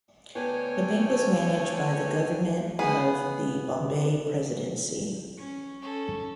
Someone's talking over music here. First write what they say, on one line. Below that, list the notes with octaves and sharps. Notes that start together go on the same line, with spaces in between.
The bank was managed by the government of the Bombay Presidency.
D2 A2 B3 D4 C#5 G5 G#5
B3 G#4
C#4
C#4 A4